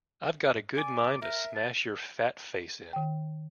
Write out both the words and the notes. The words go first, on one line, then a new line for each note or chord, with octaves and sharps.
I've got a good mind to smash your fat face in!
D5 G#5
A#4 E5
A5
D#3 G5